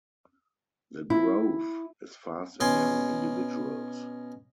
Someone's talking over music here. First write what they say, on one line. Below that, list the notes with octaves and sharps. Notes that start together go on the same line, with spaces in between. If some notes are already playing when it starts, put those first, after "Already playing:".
The growth is fast in young individuals.
E4
B2 C#4 C6